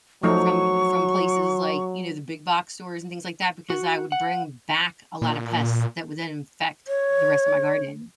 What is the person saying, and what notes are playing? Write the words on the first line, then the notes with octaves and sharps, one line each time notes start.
from from places, like, you know, the big box stores, and things like that, because I would bring back a lotta pests that would then infect the rest of my garden.
F3 F#3 A3 D#4 C#6
F#4
F#5
A#2
C#5